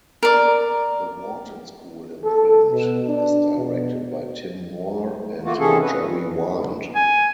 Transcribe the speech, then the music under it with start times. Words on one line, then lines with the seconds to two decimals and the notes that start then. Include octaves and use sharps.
The Wharton School imprint is directed by Tim Moore and Jerry Wind.
0.23 A#4 D5
2.24 A4
2.72 B2
3.08 D4
3.57 B2
5.44 A3 A#3 F4 F#4
5.58 C3 D#3 E3 C#4 G#4 A4
5.81 F#4 B4
5.96 G#2 D#3
6.95 G#5